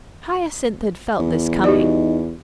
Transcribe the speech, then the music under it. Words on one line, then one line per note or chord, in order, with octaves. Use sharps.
Hyacinth had felt this coming.
E2
D#4 F#4 G4 D5